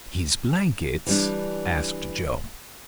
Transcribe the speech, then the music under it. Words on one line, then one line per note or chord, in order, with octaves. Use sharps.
"His blankets?" asked Joe.
E3 G3 D4